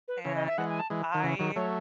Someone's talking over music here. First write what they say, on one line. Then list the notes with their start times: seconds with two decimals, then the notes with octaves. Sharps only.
and I
0.08 B4
0.25 C#3 E3 C#5
0.35 D#5
0.47 E5
0.58 E3 G#3 F#5
0.69 G#5
0.79 A5
0.90 E3 G#3
1.14 D#3
1.23 C#3 E3
1.39 D#3 F#3
1.56 F#3 A3 C#5